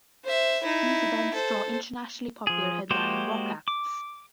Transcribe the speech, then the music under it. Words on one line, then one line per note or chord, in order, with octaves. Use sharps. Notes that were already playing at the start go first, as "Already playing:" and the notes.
These events draw internationally popular headlining rock acts.
C5 E5
D#4 E4
A4 C5
F3 G#4
G#3 A#3 F#4 G4 C5
D6